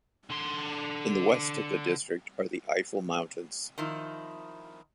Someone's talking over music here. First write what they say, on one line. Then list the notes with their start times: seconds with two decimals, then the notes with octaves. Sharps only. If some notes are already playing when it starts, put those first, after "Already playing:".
In the west of the district are the Eifel mountains.
0.30 D3 C6
3.78 D#3 F3 D#4 E4